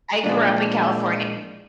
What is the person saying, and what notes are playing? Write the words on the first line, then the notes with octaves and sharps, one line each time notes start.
I grew up in California.
A#2 E3 F3 G#3 A#3 D4